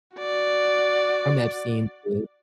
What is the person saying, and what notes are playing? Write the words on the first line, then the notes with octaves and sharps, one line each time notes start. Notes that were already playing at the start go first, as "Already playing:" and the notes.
from Epstein through
F#4 D5